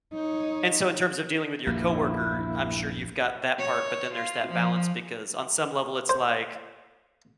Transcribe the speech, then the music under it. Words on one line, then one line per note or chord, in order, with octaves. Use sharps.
and so in terms of dealing with your co-worker, I'm sure you've got that part, but then there's that balance because on some level, it's like
D#4 C#5
A#1 E2 G2 A#3 E4
C#5
F4
F3
C5